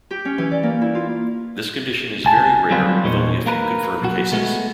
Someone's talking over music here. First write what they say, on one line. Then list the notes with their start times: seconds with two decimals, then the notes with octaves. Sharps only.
This condition is very rare with only a few confirmed cases.
0.11 G4
0.25 C#4
0.38 E3
0.51 D5
0.63 A#3
0.81 E4
0.95 F4
2.25 C#2 G#5 A5
2.71 F#3 G3 C4 F4 B4
3.04 E2 A#2 A#3 D#4 C5 C#5
3.46 A#3 A#4 B4
4.02 B1 F#4
4.32 G#3 A3 B3